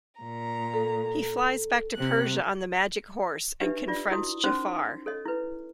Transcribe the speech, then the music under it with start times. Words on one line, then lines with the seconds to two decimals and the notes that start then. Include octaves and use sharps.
He flies back to Persia on the magic horse and confronts Jaffar.
0.22 A#2 A#5
0.74 A4
1.95 C3 F#6
3.61 D4 D#4 G4 B4 E5
3.88 F4 D5
4.11 E4 F#4 D#6
4.44 C#4 D#4 A#4 C5 C6
5.06 A4 C#5 D#5
5.25 E4 B4